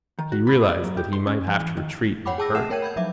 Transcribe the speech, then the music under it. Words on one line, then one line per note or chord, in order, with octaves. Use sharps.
He realized that he might have to retreat in a hurry.
D#3
F#4
B5
D5
F#3
G4
C6
C#4
F3
E3
D#3
C#5 F#5 G5 B5 D6
G#4 G5 A5 D6 E6 A#6
A3 E5 F#5 C7 E7
A#3 A#4 C#5 G5 G#6 D#7
B5 G6 G#6
F3 F#3 E5 D6